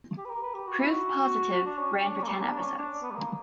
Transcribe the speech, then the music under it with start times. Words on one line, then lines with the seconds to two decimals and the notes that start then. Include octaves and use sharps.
"Proof Positive" ran for ten episodes.
0.17 G4
0.25 B4
0.30 A#4
0.42 B4
0.54 G4
0.67 F#4
0.80 E4
0.91 F#4
1.66 D4
1.79 C#4
2.03 D4
2.16 C#4
2.23 A#3
2.28 G3
2.41 A#3
2.49 D4
2.59 C#4
2.78 D4
3.02 B3
3.11 G3
3.15 A#3